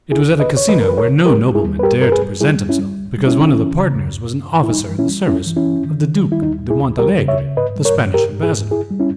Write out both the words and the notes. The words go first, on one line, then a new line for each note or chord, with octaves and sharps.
It was at a casino where no nobleman dared to present himself, because one of the partners was an officer in the service of the Duke de Montalegre, the Spanish Ambassador.
C#2 E4 G#4
C#2
B4 D#5
C#2
C#5
E3 B4 D#5
A#4
C#2 B4
A#4 C#5
C#3
G3 G4 A#4
C#2
E4 G#4
G3
B4
G2 G4 A#4
G2 A#4
G#4 B4
G3
G3 E4 G#4
G2
C#4 E4
G3
C#2
G3
C#4 E4
C#2
E3
C#3
D#2
G2
G2
G2
E4
G3 D#4
E3
C#4 E4
G3
G2 C#4 E4
E3
C#4 E4
G2
D#3
D#3
G3
E4
D#2 D#4
D#2
E4 G#4
D#2
G3 G4 A#4
C#3
C#5 E5
C#3
G#2 B4 D#5
G3
A#4 C#5
G#2
G#2 G4 A#4
G#2
E4 G#4
G#2
G2 E4 G#4
G3
C#4 E4